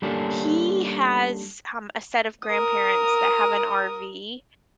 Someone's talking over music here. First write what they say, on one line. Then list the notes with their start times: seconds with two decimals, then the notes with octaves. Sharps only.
He has, um, a set of grandparents that have an RV,
0.02 G3 A#3 C#4 D4 A4
2.48 A#4 D#6